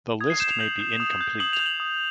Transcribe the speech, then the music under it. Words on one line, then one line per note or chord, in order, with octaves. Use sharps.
The list may be incomplete.
D#6 G#6
C7
G6 E7
F7
G6 F#7
G6
D#6
G6
D#6 F#7
F7
G6
F#7
D#6